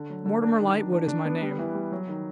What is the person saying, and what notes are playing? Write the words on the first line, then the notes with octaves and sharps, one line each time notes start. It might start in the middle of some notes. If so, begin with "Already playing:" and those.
'Mortimer Lightwood is my name.
Already playing: D3
F#3
D3
D4
D#3
D#3
D4
D4
B3
G3
E3
G3
F#3
D#3